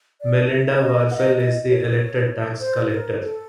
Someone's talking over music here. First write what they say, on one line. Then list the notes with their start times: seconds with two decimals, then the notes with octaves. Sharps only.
Melinda Warfel is the elected Tax Collector.
0.21 D5
0.51 E5
0.81 D#5
1.11 F#5
1.14 D#5
1.40 D#5
1.70 C#5
2.60 C5
2.90 C5
2.94 A#4
3.20 A4